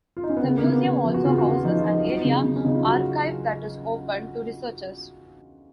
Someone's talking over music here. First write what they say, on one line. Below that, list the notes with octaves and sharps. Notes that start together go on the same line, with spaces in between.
The museum also houses an area archive that is open to researchers.
F4
D#4
C#4
B3
C#3 A#3
A#3
C#3
B3
C#3
F3
F#4
C#3 F4
F#4
C#3
F4
F3 D#4
F4
F3 D#4
F#3
C#3
C#3
C#4
C#3 D#4
F4
F#3 F#4